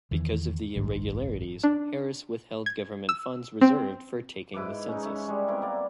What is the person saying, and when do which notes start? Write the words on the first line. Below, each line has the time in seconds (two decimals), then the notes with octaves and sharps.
Because of the irregularities, Harris withheld government funds reserved for taking the census.
0.11 E2 D#3 E3
0.76 F#1 B1 G#2 D#3
1.63 D4
2.66 G#6
3.09 E6
3.61 C4
4.54 G#2 E4 B4 D6
4.88 C#4 D#4
5.02 C#4 E4 C#5
5.26 G3 G#3 E4
5.48 B3 C4 E4 A#4
5.62 A#3 D5